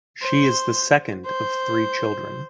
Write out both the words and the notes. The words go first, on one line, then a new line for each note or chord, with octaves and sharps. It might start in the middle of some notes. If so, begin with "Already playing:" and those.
She is the second of three children.
C5
C5